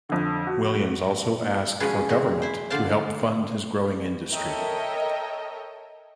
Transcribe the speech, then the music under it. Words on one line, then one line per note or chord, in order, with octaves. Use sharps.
Williams also asked for government to help fund his growing industry.
F2 D3
F#4
B2 F3 G#3 C#4 G#4 B4
G#3 C4 F#4
E4 C5
D3 F4 C5 D5 F5 A5
A4 A#4 C#5 D#5 E5 G5